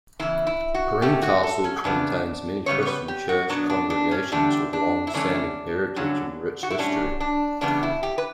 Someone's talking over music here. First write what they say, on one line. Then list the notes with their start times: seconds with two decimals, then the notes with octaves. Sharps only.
Greencastle contains many Christian church congregations with longstanding heritage and rich history.
0.19 E2 C#3 E3 E4
0.47 E4
0.74 F#4
1.02 B2 A3 C#4 G4
1.22 F#4
1.43 A4
1.64 C#4
1.84 E2 C#3 B3 D4
2.66 F#2 C#3 G3 B3 C#5
2.82 C#5
2.87 B4
3.08 G4
3.29 F#4
3.49 B2 F#3 B3 D4
3.70 D4
3.90 D4
4.11 C#4
4.32 E2 D3 G3 D4
4.73 D4
5.07 E4
5.14 F#2 C#3 E3 A3 C#4 D4
5.96 G2 D3 F#3 C#4
6.63 F#4
6.70 E4
6.79 A2 G3 C#4 D4
7.20 D4
7.61 E2 C#3 G3 B3 D4
7.83 E4
8.03 G4
8.18 B4